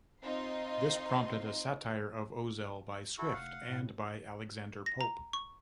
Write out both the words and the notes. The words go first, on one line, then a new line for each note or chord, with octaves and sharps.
This prompted a satire of Ozell by Swift and by Alexander Pope.
C4 D#4 F4 C6
E4 F#4 A4
F1 F5 F#5
A2
A#6
A#5
C#6